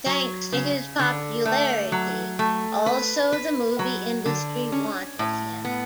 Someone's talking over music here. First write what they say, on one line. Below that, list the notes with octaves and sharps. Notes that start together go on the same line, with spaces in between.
Thanks to his popularity, also the movie industry wanted him.
F#3
C#3
D3
A3
F#3
A3
B4
B4
F#3
D3
C#4
A2
B3